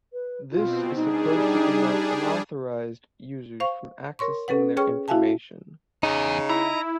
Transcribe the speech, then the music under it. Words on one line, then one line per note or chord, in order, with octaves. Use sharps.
This is supposed to prevent unauthorized users from accessing their information.
B4
B2 C4 F4
G3 D4 D#4 G#4
C5 F5 C#6
A#4 C#5 C6 C#6
C#4 A4 B4 F#5
G#4 C#5 G5 C#6 F6
E4 F#4 E5 F5 G#5 A5
E2 C#3 D#4
E4 A#5